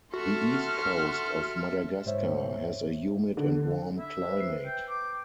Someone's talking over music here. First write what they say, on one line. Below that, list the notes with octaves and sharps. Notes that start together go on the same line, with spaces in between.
The east coast of Madagascar has a humid and warm climate.
F#4 A4 E5 C6 F6
G#2 G#3 C5 C#5 E5
D3
E5
B4 C5
C7
G5
D6